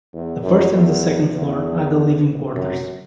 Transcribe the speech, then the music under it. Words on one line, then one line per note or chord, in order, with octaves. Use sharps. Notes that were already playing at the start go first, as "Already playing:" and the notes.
The first and the second floor are the living quarters.
E2
F#2
E2
E2
F#2